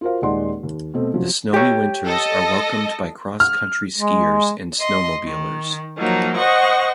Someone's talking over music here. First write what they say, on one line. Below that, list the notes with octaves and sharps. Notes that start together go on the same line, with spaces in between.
The snowy winters are welcomed by cross-country skiers and snowmobilers.
F4 F#4 A#4 C5 F5
D#1 G#3 D#4 D5 F#5 C6
D#2
B2 A3 C4
C3 F3 F#3
G4 C#5
A4 D#5
F6
G#3
D#5 C6
D#3
F3 F#3 A#3 D#4
C5 D#5 F#5 C#6